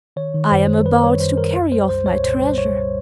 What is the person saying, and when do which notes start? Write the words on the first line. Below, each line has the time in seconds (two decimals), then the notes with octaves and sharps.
I am about to carry off my treasure.
0.16 D#3 C#5
0.34 D#3
0.51 F#2 C5
0.68 F#2
0.86 F#2 B4
1.03 G3 C#5
1.20 F#2 C5
1.37 F#2 A#4
1.55 C2
1.72 G3 C5
1.89 C2 C5
2.06 C2 C#5
2.23 A#2 C5
2.41 G3
2.58 C2 C#5
2.75 G3